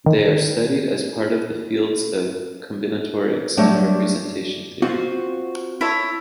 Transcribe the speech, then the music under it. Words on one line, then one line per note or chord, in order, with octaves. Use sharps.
They are studied as part of the fields of combinatorics and representation theory.
D#3
F#3 G3 A3 D4
C4 F4 F#4
E4 A4 C#5